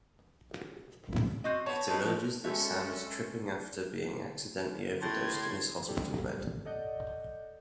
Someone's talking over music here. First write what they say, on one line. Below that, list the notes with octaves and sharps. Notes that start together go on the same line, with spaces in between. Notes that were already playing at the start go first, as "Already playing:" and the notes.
It emerges that Sam is tripping after being accidentally overdosed in his hospital bed.
C4 F#4 D#5
B3 C#5 A5
C4 D#4 B4 A5
F3 G3 D#4 B4
G#3 C#4 F#4 A4 E5
A2 C6 G#6
G3 G4 A4
A4 D5 D#5 F#5 G6